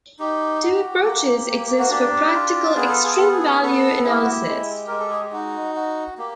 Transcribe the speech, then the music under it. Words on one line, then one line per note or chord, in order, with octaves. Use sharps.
Two approaches exist for practical extreme value analysis.
D#4 G4
F#4
A#3
A#3
F#4
D4 G4
F4
B3 G#4
A4
G#4
B3 A4
G#4
B3 A4
E4 G#4
G4
F#4
G4
G#3
G#3 A#4
A4
G#4
G4
D#4 F#4
F#4
A#3 G4